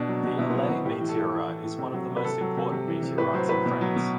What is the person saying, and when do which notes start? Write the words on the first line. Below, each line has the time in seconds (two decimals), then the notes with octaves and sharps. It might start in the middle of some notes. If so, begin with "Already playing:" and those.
The Alais meteorite is one of the most important meteorites in France.
Already playing: B2 D4
0.08 F#3
0.23 B2
0.38 B2 E4
0.50 B3
0.54 F#3 C4
0.69 B2 F#4
0.85 A2 G4
1.01 E3
1.09 A4
1.16 A2
1.31 A2
1.48 E3
1.64 A2
1.79 C3
1.94 F#3
2.10 C3
2.16 B4
2.25 C3 A4
2.41 F#3
2.57 C3
2.72 C3
2.87 E3
3.02 C3
3.18 A2 B4
3.34 F#3 C5
3.49 A2 B4
3.66 B2
3.81 F#3
3.96 B2